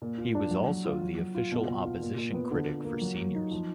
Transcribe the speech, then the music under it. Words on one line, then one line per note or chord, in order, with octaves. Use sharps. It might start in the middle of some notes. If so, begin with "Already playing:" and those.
He was also the Official Opposition Critic for Seniors.
A#2
F4
D4
F#3
F#3
F4
F#3
F#3
F4
B2
B2
F4
A#2
A#2
B3
D3
F4
A#3
F#3
F#3
D#4
F3